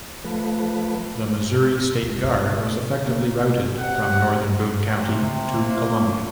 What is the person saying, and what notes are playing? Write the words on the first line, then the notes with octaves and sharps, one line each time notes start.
The Missouri State Guard was effectively routed from northern Boone county to Columbia.
F3 A3 B4
G#3
F#1 B2
A#3
C3 F#5
C3
A#3